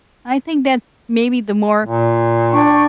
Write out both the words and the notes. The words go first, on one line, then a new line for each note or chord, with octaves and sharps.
I think that's maybe the more
A#2
D4 G5 C#6